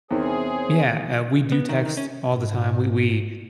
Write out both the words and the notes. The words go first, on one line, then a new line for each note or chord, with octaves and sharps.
yeah, eh, we do text all the time we we
E2 C3 D#3 C4 G#4 C5 C#5 E5
B3
D#3
D#3
C#4
G#2